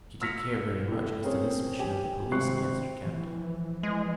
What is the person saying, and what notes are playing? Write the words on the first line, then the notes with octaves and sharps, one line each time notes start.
But she did care very much as to this mission of the police against her Captain.
E6 F6 A#6 B6 C#7 F7
A2 A4
C4 C#4 G#4 A#4 C5 C#5
G4 G#5
G#1 C3 C4 C#6 F#6 C7
E3 F3
G#3